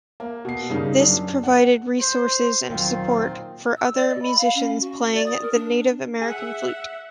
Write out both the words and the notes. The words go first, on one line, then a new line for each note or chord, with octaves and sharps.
This provided resources and support for other musicians playing the Native American flute.
A#3
B2 C7
G2 C#3 A#3 D#4
F#2 D4
F#5
C5
D#2 A#2 D#3 F#3 C4 F4
E6
D5
D#5
B5
F5
C#4
F#4
D5
D#6
A#4
D4
G#4 E5 F#5 G#5